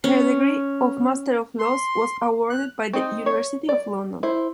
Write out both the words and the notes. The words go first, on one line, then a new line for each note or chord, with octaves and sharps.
Her degree of Master of Laws was awarded by the University of London.
C#4
C6
F#6
C4 D#4
C#5
D5
E4 C5